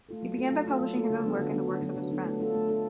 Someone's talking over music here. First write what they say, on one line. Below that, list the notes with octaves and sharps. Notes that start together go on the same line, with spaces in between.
He began by publishing his own work and the works of his friends.
A3 F4 A4
F#3
A3 F4 A4
F#3
A3 F4 A4
F#3
A3 F4 A4
D3
F#3 B3 D4
D3
F#3 B3 D4
D3
F#3 B3 D4
D3
F#3 B3 D4
A3
D4 F4 A4
A3
D4 F4 A4